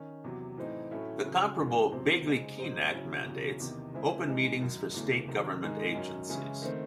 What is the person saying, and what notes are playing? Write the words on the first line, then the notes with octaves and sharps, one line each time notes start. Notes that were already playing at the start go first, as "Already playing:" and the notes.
The comparable Bagley-Keene Act mandates open meetings for State government agencies.
Already playing: D#3 C#4
E2 C3 F#3
A2 E3 C4 D#4
A2 F#3 A3 C#4 E4
C#3 F#3 C#4
F#2 E3 G#3
E2 C3 F#3 C4
C#3 G#3 C4 D#4
G#2 F#3 C4 D#4
C#3 F#3 C#4 E4
E2 C#3 F#3 C#4 E4
E2 C3 D#3
C#3 G#3 C4 E4
C3 E3 G#3 D#4
F#2 D#3 F#3
E2 C#3 E3 A3
C3 D#3 F#3
G#2 D#3 G#3 D#4
F#2 D#3 F#3 C#4
C#3 E3 G#3 C#4 E4
D#3 A3 C4